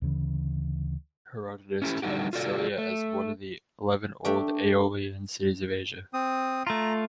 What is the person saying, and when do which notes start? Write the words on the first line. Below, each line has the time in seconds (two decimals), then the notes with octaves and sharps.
Herodotus counted Cilia as one of the eleven old Aeolian cities of Asia.
0.02 D2 C#3 E3
1.82 C#4 E4 F#4 G4
2.02 D3 G3 D#4 F#4 G4
2.33 F4 F#4 A4 D5
2.78 A3
4.25 A3 D4 G4
6.14 C4 D#6
6.67 A3 F4 A#5